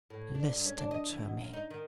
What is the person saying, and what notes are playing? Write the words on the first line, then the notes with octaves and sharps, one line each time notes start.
'Listen to me.
A2
D4
G2
C#4
D4
D#5
E3
B2
F#2
D#4
D#3